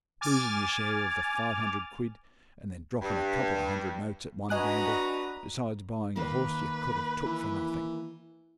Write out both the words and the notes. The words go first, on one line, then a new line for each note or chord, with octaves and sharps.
Losin' yer share of the five hundred quid, and then dropping a couple of hundred notes at one gamble, besides buying a horse yer could have took for nothing.
G#5 D6 F6 A6
G2
D4 F#4 B4 D#5 G#5 A#5 D#6 F#6
D#3 A#3 B4
E3